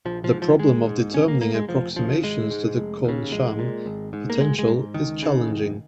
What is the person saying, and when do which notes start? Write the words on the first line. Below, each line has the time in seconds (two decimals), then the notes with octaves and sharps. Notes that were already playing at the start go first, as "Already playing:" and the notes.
The problem of determining approximations to the Kohn-Sham potential is challenging.
0.05 A#1 F3
0.24 F3
0.33 G#2
0.42 F3
0.59 G#1 G#3
0.87 G#2
1.14 A#1 C#4
1.28 A#3
1.41 G#2 A#3
1.55 G#3
1.68 F1 F3
1.96 D#2 C#3 F3
2.23 G#1 G#3
2.50 G#2
2.77 F1
3.05 D#2 C#3
3.32 A#1 G#3
3.59 A#2
3.86 G#1
4.13 G#2
4.30 A#3
4.41 G#1 G#3
4.59 G#3
4.68 G#2
4.94 C#2 D#3
5.23 C#3
5.49 F1